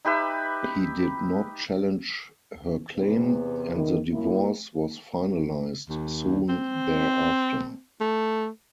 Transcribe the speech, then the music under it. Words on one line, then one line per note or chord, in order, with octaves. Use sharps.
He did not challenge her claim, and the divorce was finalized soon thereafter.
D#4 G4 B4 E5
E2 C3 B3
D#3
F#2 A#3 E4
D#2
C4
A3